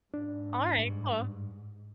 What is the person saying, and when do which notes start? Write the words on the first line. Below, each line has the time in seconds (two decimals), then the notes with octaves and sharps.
alright, cool.
0.14 G#2 D4
0.78 G2